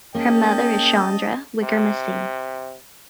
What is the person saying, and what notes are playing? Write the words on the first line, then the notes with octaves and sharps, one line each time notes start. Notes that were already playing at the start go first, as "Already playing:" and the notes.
Her mother is Chandra Wickremasinghe.
A#3 C#4 G#4 D#5 G5 A5
C3